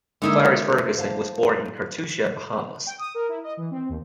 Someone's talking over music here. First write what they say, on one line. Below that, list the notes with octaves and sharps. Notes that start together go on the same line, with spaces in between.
Clarice Ferguson was born in Cartusia, Bahamas.
D3 G#3 A#3 D#4 E4 A#4
C5 F5 A5
G5
D#6
A#4
E4
D#5
E3
C4
D#2